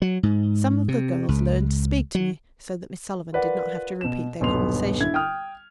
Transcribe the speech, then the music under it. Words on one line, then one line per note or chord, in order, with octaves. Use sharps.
Some of the girls learned to speak to me, so that Miss Sullivan did not have to repeat their conversation.
F#3
G#2
C3
C#2
F#3
F4 A#4 B4 D5 F#5
B2 E7
D#1 B1 G2 B3 C6 F7
D3 E4 G#6
G5 D#6 F6